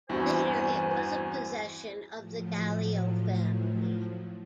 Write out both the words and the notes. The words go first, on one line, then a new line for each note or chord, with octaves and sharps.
Later it was a possession of the Gallio family.
E2 G2 E3 C4 F#4 C5 G#5
A2 F3 F#3